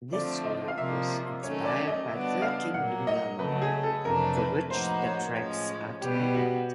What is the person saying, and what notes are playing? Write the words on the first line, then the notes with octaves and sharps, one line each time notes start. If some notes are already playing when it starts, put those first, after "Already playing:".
This work was inspired by thirteen lunar mare for which the tracks are titled.
D3 F3 A3 C4 D5
D#5
F5
C3 F3 A#3 E5
D#3 F#3 A3 C#4 C#5
D5
D#5
D3 G3 B3 D4 F#4 E5
F5
A#2 F#3 A#3 F#5
D#5
C#3 F#3 A3 B4
G#4
A4
F2 C3 E3 A3 D4 A#4
B4
A2 F3 A#3 D#4 F#4 C5
C#5
A2 F3 G#3 C#4 C#5
B2 G3 B3 G4
F#4